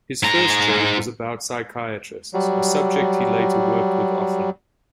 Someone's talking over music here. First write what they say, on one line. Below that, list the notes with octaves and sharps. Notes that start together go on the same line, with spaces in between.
His first Joke was about psychiatrists, a subject he later worked with often.
G#2 A#5
F#3 G3